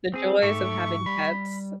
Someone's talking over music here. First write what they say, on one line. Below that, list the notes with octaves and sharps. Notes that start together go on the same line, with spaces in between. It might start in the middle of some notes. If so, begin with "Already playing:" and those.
the joys of having pets.
C4 G#4
G#2 A3 G4 A4 C#6
G3 B5